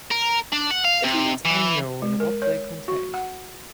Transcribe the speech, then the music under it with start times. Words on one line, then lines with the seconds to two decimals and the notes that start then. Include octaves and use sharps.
It remains unknown what they contained.
0.11 A#4
0.52 D4
0.71 F#5
0.85 F5
1.04 C3
1.46 E3
2.02 G#3
2.20 A#4
2.42 C#5
2.88 F#4
3.14 F#5